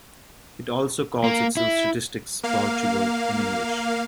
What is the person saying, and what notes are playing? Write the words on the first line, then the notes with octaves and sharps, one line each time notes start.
It also calls itself Statistics Portugal in English.
A#3
E4
A#3 F5